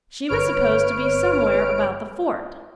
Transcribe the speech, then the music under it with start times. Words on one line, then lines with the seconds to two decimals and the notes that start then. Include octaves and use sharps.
She was supposed to be somewhere about the fort.
0.28 G1 B4 C#5 F6 D7